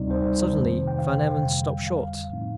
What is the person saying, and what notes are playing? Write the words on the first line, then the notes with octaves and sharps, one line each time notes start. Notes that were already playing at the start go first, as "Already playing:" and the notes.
Suddenly Van Emmon stopped short.
Already playing: D2 C3 G3 C4 D#4 D5
C5
F2 C3 D#3 A3
G5
F5
F2 D3 G3
F5
A2 F3 A3 C4 D#4